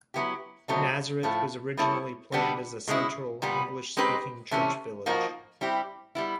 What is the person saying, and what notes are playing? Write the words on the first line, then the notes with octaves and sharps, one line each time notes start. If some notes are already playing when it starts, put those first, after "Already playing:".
Nazareth was originally planned as a central English-speaking church village.
F#3 B3 E4 G4
B2 F#3 A3 C4 D#4
A2 F3 A3
G3 B3 E4 A4 C#5
D3 G3 B3 D4
B2 G#3 C#4 E4
A#2 G3 B3
G#3 C4 D#4 G4 B4
C3 E3 A3 C#4
F3 A#3 D#4 F#4
G3 C4 E4 G4
G3 B3 E4